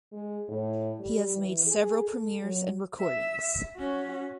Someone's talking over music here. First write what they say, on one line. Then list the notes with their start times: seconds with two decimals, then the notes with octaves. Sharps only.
He has made several premieres and recordings.
0.12 G#3
0.49 A2
0.99 G3
1.38 E3
1.66 G#4
2.05 A4
2.41 F#3
3.01 E5
3.76 C#4 F#4